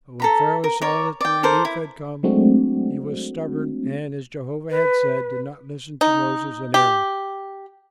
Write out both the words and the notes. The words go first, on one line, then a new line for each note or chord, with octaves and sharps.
But when Pharaoh saw that relief had come, he was stubborn and, as Jehovah had said, did not listen to Moses and Aaron.
A4 A#5 B5
A#4
A#4 C#5 D5
D5 G5
A4 A#4 C5 D6
E4
F#3 G#3 A3 C4 D4 F#4
B4
D#4
G4